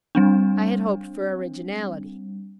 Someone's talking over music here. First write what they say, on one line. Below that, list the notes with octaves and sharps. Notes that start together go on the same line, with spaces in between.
I had hoped for originality.
G3 C4 D4